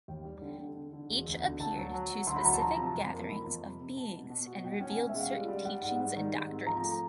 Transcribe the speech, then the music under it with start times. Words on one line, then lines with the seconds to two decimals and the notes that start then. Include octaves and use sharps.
Each appeared to specific gatherings of beings and revealed certain teachings and doctrines.
0.08 D#2 G5
0.25 G3
0.42 D3
0.59 D3
0.76 D3
0.93 D3
1.09 E1
1.26 D2
1.43 D3
1.60 D2 A5
1.76 F#3
1.94 F#3
2.10 F#3
2.27 D2 C6
2.36 B5
2.44 F#3 A#5
2.54 A5
2.61 F3 A#5
2.78 C3
2.96 F2
3.13 A#3
3.29 F3 B5
3.46 F2
3.63 C3
3.80 C3
3.97 B2 A5
4.13 B2
4.30 B2
4.47 F#4
4.64 B2 G5
4.72 F#5
4.81 C#4 G5
4.90 G#5
4.97 C#4 F#5
5.09 E5
5.15 G#3
5.20 F5
5.32 G3
5.49 G3
5.65 G3 F#5
5.82 G#2
5.99 G3
6.16 D#3
6.33 G#2
6.49 C4
6.66 F3 A#5
6.84 A3